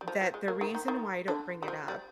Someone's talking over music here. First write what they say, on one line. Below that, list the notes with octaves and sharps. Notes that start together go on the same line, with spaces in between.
that the reason why I don't bring it up
G3
F3
F3
G#3
A#3
D#3
D#3
D#3
D3
G3
F3
G3